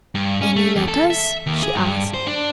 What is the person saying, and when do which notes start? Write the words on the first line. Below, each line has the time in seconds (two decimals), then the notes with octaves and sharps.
"Any letters?" she asked.
0.15 G2
0.42 C#4
0.56 A3
0.76 E2
0.88 A4
1.10 E5
1.47 D#2
1.63 G#4
1.76 G2
2.14 C5
2.27 D4